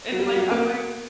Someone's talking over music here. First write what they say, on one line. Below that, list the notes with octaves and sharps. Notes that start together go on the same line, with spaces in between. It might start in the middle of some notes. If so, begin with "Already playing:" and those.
and, like, on my
F#3
G3
F#3
A#3